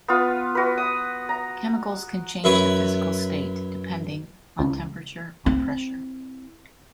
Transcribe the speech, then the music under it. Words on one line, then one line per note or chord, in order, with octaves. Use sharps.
Chemicals can change the physical state depending on temperature or pressure.
B3 F4
F#4 B4
D#6
A#5
F#2 E4 B4 C#5
C#2
C4 E4